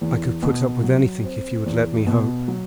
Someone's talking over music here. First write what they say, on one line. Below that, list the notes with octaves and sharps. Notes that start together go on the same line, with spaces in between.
I could put up with anything if you would let me hope.
E2
B2
F#3
C4
E2
B2
F#3